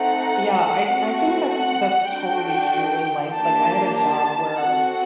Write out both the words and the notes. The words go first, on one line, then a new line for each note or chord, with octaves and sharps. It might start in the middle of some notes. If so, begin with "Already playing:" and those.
Yeah, I I think that's that's totally true in life. Like, I had a job, where
Already playing: A3 C4 D#4 A4 F#5
A3 C4 F#4
F#5
D4 F#4 A4 G5
A#3 D4 G4 A5
A5
C4 F#4 A4 F#5